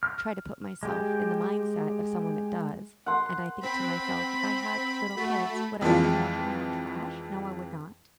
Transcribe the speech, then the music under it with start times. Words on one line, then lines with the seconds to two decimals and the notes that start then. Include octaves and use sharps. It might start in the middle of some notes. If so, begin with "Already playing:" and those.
try to put myself in the mindset of someone that does, and I think to myself, "If I had little kids, would I want them walking around trash?" No, I would not,
0.03 F6
0.83 G#3 G4
3.06 F#5 C6
3.63 C4 B5
5.17 A3 F#4
5.81 F2 E3 F3 G#3 F4